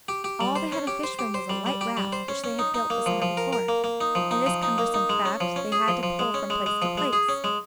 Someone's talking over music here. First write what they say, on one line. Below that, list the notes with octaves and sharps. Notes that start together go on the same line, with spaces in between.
All they had to fish from was a light raft which they had built the summer before, and this cumbersome craft they had to pole from place to place.
G4
G4
G3
C5
C#4
G4
C5
G4
C5
G3
G3
G4
G3
C5
C#4
C#4
D#4
D#4
A#3
F3
F3
A#4
A#4
A#3
A#3
D#4
F3
D#4
F3
D#4
A#3
D#4
G#3
C#4
F3
C#4
G#4
F3
F3
G#3
C#4
G#3
G#3
F3
G#3
G#4
C#4
G#3